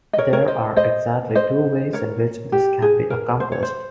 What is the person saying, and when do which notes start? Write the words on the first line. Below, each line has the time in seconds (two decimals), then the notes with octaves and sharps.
There are exactly two ways in which this can be accomplished.
0.13 D#5
0.18 A#4 C#5
0.33 A#4 C#5
0.48 C5 D#5
0.77 C5 D#5
1.35 C5 D#5
1.93 A#4 C#5
2.52 G4
2.82 G#4
3.10 A#4
3.40 C5
3.52 C#5
3.63 C5